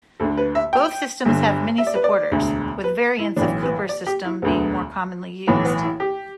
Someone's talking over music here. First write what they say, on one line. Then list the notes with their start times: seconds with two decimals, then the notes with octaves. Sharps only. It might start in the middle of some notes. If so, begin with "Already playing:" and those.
Both systems have many supporters, with variants of Cooper's system being more commonly used.
0.20 D2 D3 A4
0.37 B4
0.55 E5
0.73 G5
1.25 G1 G2 D3
1.78 E5
1.87 D5
1.95 B4
2.04 D5
2.31 E1 D2 D3
2.84 B4
3.19 E4
3.36 B1 A2 E3 D4
3.63 B4
3.89 D5
4.06 G4
4.24 E4
4.42 E1 D2 D3 B3
5.47 B1 A2 E3 B3
5.65 B3
5.83 E4
6.00 G4